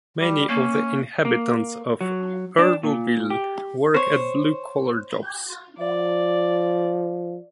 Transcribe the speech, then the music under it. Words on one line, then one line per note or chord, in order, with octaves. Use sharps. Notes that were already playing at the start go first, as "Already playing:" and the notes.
Many of the inhabitants of Earlville work at blue-collar jobs.
G3
A#3 C#4
A#3
F#3
D4
A#2
G4
C5 C#5
F3 D5